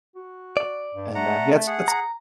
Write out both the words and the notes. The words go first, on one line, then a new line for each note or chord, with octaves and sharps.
and, uh, yeah that's that's
F#4
D5
G2
A3 F#5 A#5
G#4 F#5
A#5